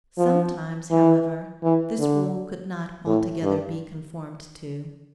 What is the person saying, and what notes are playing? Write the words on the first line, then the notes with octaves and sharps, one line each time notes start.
Sometimes, however, this rule could not altogether be conformed to.
F3
E3
E3
D3
A2
G2